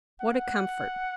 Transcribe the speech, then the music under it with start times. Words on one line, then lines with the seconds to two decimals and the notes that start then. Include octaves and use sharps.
What a comfort.
0.21 F#5